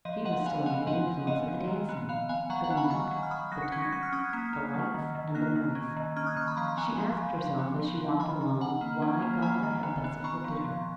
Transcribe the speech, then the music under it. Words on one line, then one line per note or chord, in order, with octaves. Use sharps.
She was still under the influence of the dancing, the music, the talk, the lights, and the noise; she asked herself as she walked along why God had thus afflicted her.
F3 D#5
F3 D#5 F#5
B3 F5 G#5
B3 F5 G#5
F3 D#5 F#5
F3
B3 D#5
F3
D#3
B3
B3 F5
B3 F5 G#5
F#3 F#5 A#5
F#5 A#5
B3
G#5 B5
D#3 A#5 C#6
F#3
F6
F#3 B5 D#6
F#3 F#6 A#6
C#7
C#4 G#6 B6
A#6 C#7
F#3 F#6 A#6
F6 G#6
C#4 D#6 F#6
A#3 G#6 B6
A#3
F#3
D#3
D#3
A#3 F#6 A#6
D#3
C#4
D#3
C#4 F6 G#6
D#6 F#6
D#3 C#6 F6
B5 D#6
F3 A#5 C#6
A#5
B3 G#5 B5
F3
F3
F3
B3
F3
F3
D#3 G#5 B5
D#3
D#3 F#5 A#5
A#3
C#4
A#3
A#3 G#5 B5
D#3
B3
B3
B3 A#5 C#6
F3
F3